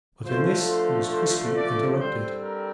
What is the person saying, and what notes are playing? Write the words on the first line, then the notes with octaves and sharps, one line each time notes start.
But in this he was crisply interrupted.
D3 F3 A3 C5
C5
C5
D5
D3 G3 C4 C5
A#4